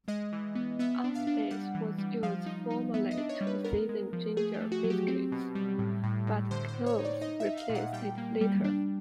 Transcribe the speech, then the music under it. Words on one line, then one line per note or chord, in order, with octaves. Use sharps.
Allspice was used formerly to season ginger biscuits, but cloves replaced it later.
G#3 D#5
E3
B3
B3 E5
D4
F5
D4
G3 F#5
E3
G3
F3 F5
D#4
D#4
B3 E5
D#5
D4
C#5
G3
B4
B3 A#4
G#3
F3
A3 G#4
G4
A3
F#4
F#3
G4
C4
B2
G3
A2
A2
A2
D3 C5
C5
D3
C#5
D#4
D5
D#4 D#5
E5
D#4
F5
A#2
F#5
G3 G5
A#3
G3
D4